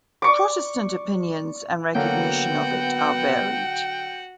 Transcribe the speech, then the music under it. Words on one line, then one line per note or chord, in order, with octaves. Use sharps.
Protestant opinions and recognition of it are varied.
D5 C#6 D6
D3 F#3 A#3 B3 F#4 F#5 G5